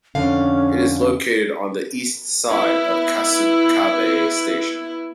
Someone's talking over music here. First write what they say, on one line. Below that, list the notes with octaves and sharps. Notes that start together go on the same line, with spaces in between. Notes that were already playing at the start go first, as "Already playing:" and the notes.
It is located on the east side of Kasukabe Station.
F2 D3 C#4 F5
B3 E4